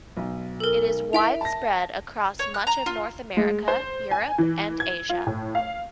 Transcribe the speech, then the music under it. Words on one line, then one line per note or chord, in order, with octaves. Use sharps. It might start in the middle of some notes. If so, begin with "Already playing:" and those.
It is widespread across much of North America, Europe and Asia.
B1
A4 A#4
E4 E5 G5 F7
A5 A#6
C#5
F#6
A#5
F4
G#3
C5
G#5
E3
G#6
F4
A2
F5